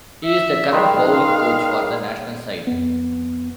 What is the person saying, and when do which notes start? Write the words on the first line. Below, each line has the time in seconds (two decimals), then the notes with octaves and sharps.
He is the current bowling coach for the national side.
0.25 E5
0.72 D#3 G3 G#3 F5
2.67 F2 B3